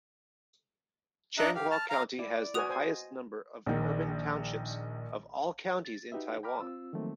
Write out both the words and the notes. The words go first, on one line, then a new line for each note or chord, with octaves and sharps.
Changhua County has the highest number of urban townships of all counties in Taiwan.
D4 D#5 E5 A#5 F#6
G4 F5
A5 F6
F5 A#5
E4 D5
F#4 B4 G#5 D#6 F7
C5 G#5
D#5
A#1 D#3
A6
D#4 F#4 G4 B4 D#5 E5
G5 A#5 B5 D6 F6
C4 F4 E6
D#3 F3 F#3 A3 A#3 C4